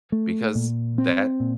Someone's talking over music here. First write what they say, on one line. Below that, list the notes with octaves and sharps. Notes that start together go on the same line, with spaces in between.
because that
A3
A#2
C4
A#2